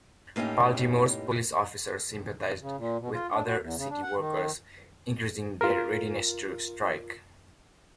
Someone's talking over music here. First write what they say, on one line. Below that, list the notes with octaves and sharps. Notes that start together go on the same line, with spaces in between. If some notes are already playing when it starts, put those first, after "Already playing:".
Baltimore's police officers sympathized with other city workers, increasing their readiness to strike.
A2 A#3 C#4 D#4 G4
C#3
A#2
B2
F4
D4
F#4
E2
C#3
D4
F#5
D#3
F4 A#4